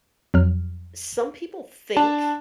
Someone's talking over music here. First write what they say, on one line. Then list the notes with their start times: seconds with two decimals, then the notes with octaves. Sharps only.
some people think
0.34 F2 F#3 F6
1.97 D4 A5